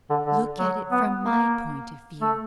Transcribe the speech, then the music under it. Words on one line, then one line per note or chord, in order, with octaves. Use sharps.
Look at it from My point of view.
D3
D3
F#3
B3
A#3
A3